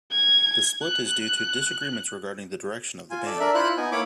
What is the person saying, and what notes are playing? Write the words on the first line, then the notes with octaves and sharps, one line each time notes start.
The split is due to disagreements regarding the direction of the band.
G#6
F#6
F4 G#5
A4 D5
D4 A#4 D5 E5
E4 F4 C5 B5 F#6
B3 D#4 G#5
A#3 E4 C#5 B5 D6